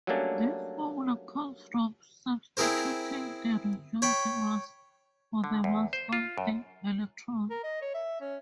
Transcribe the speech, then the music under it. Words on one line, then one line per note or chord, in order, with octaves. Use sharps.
This formula comes from substituting the reduced mass for the mass of the electron.
F#3 G3 A3 A#3 C#4 D4
C4 E4 G#4 A#4 C5
C#5 G5 B5
D3
E2
C5
F4
F#2
A#4
D#5
C#5
E5
C#4